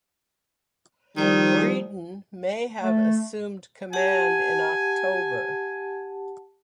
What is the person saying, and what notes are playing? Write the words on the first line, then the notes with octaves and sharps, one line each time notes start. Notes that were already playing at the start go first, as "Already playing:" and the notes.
Breedon may have assumed command in October.
D#3 F3 G3 E4 C5 D#6
A3
G4 F#5 G#5 A5